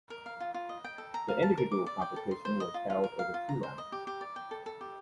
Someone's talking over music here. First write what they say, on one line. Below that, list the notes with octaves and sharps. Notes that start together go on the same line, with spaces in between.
The individual competition was held over two rounds.
A#4
F5
F4
F4
D#5
G5
A4
A#5
F5
A5
A#4
D6
D5
G5
A4
C6
C5
D#5
F4
F4
A#4
F5
F4
A#5
C5
D#5
G4
G4
D5
G5
A4
A4
G4